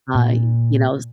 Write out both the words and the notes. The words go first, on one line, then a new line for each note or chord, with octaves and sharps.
uh, you know? S
A#2